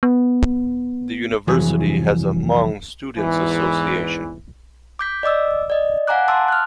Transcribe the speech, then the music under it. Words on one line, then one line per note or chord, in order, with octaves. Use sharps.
The university has a Hmong Students Association.
B3
C2 F2 E3 F#3 G#4
E2 G#2 E3
D6 G6 B6
D5 D#5 D6 E6
D5 D#5
F5 F#5 G#5 A#5 D6 F#6
A5 C6 D6 E6
F6 F#6